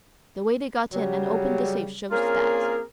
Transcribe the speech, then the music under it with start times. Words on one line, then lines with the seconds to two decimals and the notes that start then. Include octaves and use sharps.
The way they got in and opened the safe shows that.
0.93 C#3 F#3 G3
2.11 A#3 C4 C#4 F4 G#4 A#4